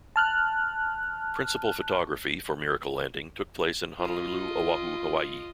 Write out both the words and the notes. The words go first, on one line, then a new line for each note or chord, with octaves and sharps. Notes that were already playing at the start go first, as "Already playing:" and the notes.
Principal photography for "Miracle Landing" took place in Honolulu, Oahu, Hawaii.
A5 F6 F#6
F4 D#5